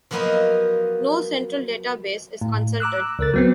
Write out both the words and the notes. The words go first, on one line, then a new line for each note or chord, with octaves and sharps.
No central database is consulted.
F3 F#3 A#3 B3 F4 D#5
A2
A#5 D6 E6 F#6
C#2 A#4 A6
F#3 B3 C4